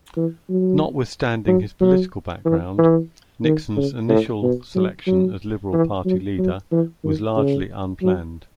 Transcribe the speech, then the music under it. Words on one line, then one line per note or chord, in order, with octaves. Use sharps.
Notwithstanding his political background, Nixon's initial selection as Liberal Party leader was largely unplanned.
E3
F#3
F#3
F#3
E3
E3
D#3
C#3
A2
B2
F#3
F#3
E3
F#3
F#3
E3
D#3
C#3
F#3